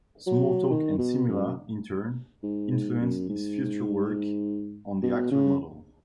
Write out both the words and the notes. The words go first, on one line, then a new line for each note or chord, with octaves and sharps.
Smalltalk and Simula, in turn, influenced his future work on the Actor model.
F#3
D#3
B2
F#2
G#2
G#2
F#2
G#2
B2
C#3